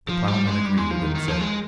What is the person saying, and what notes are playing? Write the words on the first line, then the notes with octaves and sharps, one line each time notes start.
The ploughman agreed and said.
F3
G3
G#3
G3
G#3
F3
D#3
D#3
F3
G#3